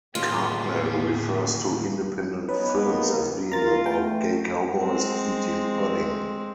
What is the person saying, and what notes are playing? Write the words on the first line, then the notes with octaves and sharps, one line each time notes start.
Cartman refers to independent films as being about "gay cowboys eating pudding".
D#2 A2 D3 F4 G4 G#4
G#3 B3 D#4 B4 C#5
A#3
C#2
F4 A#4 A#5 A6
A3 G5
G#3 C4